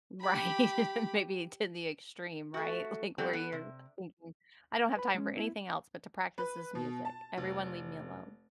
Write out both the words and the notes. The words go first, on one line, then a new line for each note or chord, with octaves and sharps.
Right, maybe to the extreme, right? Like, where you're thinking, I don't have time for anything else but to practice this music. Everyone leave me alone.
G4 B5
A3 F#4
G3 B3 C4 F#4 G4 A4
B3
C3
B4 B5
G#3 C#4
B3 E4
B4
B2
A5
F1